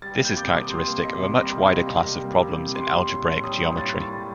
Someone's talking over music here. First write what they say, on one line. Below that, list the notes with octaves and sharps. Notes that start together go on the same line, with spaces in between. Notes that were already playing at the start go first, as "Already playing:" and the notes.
This is characteristic of a much wider class of problems in algebraic geometry.
G3 A6
A#3
G6
C3 D6
D#6
C3
G3 C6
A#3
C3 D#5
C3
G3 D#5
A#3
C3
C3
G3
A#3
C3
C3
G3 C6
A#3
A2
A2
G3 D#6
A#3
A2 A6
A2
G3